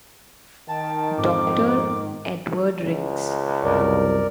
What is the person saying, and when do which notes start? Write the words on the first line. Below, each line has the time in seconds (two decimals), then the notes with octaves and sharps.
Doctor Edward Riggs.
0.68 D#3 G5 A5
1.18 F2 G#2 D6
2.82 C#2
3.64 C2 F#2 A#4 D5